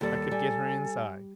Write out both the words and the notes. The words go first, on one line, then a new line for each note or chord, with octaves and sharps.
I could get her inside.
D#2 G3 A4
G3 G#5